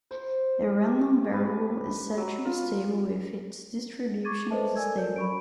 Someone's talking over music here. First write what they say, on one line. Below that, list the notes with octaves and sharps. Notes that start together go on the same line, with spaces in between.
A random variable is said to be stable if its distribution is stable.
C5
G4
B4
F#3
F4
C#6 D6 G#6 A6 D#7
A4 B4 C5 D#5 E5 A5
A4 A#4 D5 G#5 E6 G#6
A#4 D5 G6
B5 C#6 D7